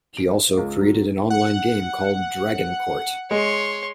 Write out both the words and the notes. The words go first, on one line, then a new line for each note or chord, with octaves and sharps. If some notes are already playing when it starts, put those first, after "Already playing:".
He also created an online game called Dragon Court.
D7
C#2
F#3
F#5
G#3 C#5 C6